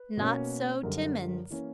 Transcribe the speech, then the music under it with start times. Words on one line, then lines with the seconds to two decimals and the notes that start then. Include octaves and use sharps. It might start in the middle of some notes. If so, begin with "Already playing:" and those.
Not so Timmans.
Already playing: B4
0.17 B2 A#3 C#4
0.83 F#2 D3 G3 A#4
1.50 E3 A#3 C#4